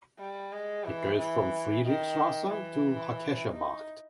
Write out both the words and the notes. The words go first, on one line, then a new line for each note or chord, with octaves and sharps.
It goes from Friedrichstraße to Hackescher Markt.
G3
G#3
E3
E3
D#3
E3
D#4